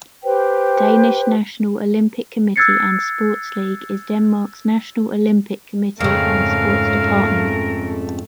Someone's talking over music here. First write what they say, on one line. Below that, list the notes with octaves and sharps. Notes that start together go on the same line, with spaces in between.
Danish National Olympic Committee and Sports League is Denmark’s National Olympic Committee and sports department.
G4 B4 C5 G5
E6 F#6 G#6 A6 C7 C#7
F2 G#2 C#3 A3 A#4 F5